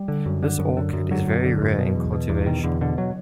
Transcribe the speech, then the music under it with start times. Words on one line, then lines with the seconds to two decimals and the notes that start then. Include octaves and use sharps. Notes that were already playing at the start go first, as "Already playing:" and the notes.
This orchid is very rare in cultivation.
Already playing: G3
0.08 D3
0.26 F#2
0.43 D3
0.59 F#2
0.77 D3
0.93 F#2
1.11 D3 F#3
1.27 F#2
1.45 D3
1.62 F#2
1.78 B2
1.95 E2
2.12 B2
2.30 E2
2.46 B2 D#3
2.64 E2 D3
2.81 B2 D3
2.98 F#3